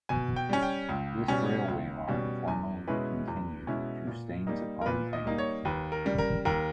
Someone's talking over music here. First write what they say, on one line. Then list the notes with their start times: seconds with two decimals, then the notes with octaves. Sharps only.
This railway line formerly continued to Staines-upon-Thames.
0.09 B2 G#5
0.36 G5
0.49 G3 C#4
0.62 G5
0.89 C#2
1.28 B2 G3 C#4
1.68 C#2
2.07 B2 G3 C#4
2.48 E2 G#5
2.87 B2 G#3 C#4 E4 B4
3.28 E2
3.67 B2 G#3 C#4 E4
4.07 A#2
4.47 G3 A#3 D#4
4.81 A#4
4.86 A#2 B4
5.13 D#5
5.25 G3 A#3 D#4
5.38 C#5
5.65 D#2 B4
5.92 A#4
6.05 C#3 G3
6.18 A#4
6.45 D#2 A#4